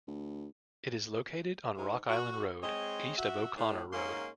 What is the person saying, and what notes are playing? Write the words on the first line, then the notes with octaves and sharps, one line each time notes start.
It is located on Rock Island Road, east of O'Connor Road.
D2
G#2
F#4
G#3 C4 C#5 D#5
F#4 E5
A2
G#2 G#3 A#3 C#4 C6